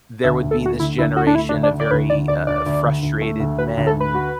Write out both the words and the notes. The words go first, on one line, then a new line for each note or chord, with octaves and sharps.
there would be this generation of very, uh, frustrated men
D2 E5
D2
A4
A3 F#4
D3 E4
D2 E4
D2 F#4
D4
A3 E4
D4
D2
D4
D3
D5
D2 B4
D3 D5
D2 D5
D2 D5
D2
D3
D2
A3
D2
F#4 B4
D2
A4
D2 B4
F#4